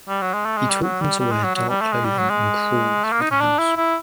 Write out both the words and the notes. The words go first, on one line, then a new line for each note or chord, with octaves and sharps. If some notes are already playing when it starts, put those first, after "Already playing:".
He taught them to wear dark clothing and "crawl" through the house.
G3
F#3
G#3
A3
G#3
G3
F#3
G3
G3
G#3
F#3
F#3
G3
A3
G#3
G3
F#3
G#3
A3
A#3
D#4
C#4
D4
E4
E4